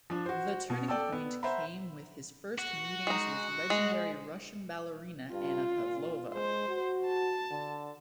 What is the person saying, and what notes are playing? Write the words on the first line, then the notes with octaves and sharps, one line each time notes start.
The turning point came with his first meetings with legendary Russian ballerina Anna Pavlova.
F3 D4
F#4 C5
B2
A4 D5 G5 A5 E6
B3
C5 E5 F#5 A#5 B5
F#4
G#3 D#4
G#3
G2 F4
A#2
G#3 C5
F#4
A5
D3